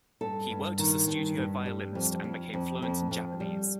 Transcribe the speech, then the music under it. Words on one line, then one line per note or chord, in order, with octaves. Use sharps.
He worked as a studio violinist and became fluent in Japanese.
G2 A4
G2
D#3
G2
G2
G3
F2
F2
F2
F2
F2
G3